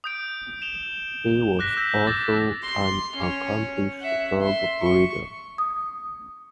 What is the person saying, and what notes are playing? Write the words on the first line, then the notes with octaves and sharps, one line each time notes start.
He was also an accomplished dog breeder.
D#6 G6 D7
E7 F7 G7
D6 F#6 A#6 B6
E6 G6 A#6 B6
D6 E6 A6 A#6
C6
C#4 C#5
E5 F#5
E5 C6
C#6
D#6